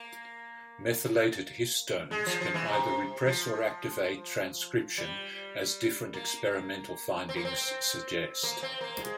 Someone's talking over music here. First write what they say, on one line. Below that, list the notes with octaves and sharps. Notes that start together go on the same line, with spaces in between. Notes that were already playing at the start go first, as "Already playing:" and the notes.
Methylated histones can either repress or activate transcription as different experimental findings suggest.
Already playing: A#3
G#3
F3
F3
E3
C3
F3
G3
A#3
C4
A#3
C4
A#3
C4
A#3
G#3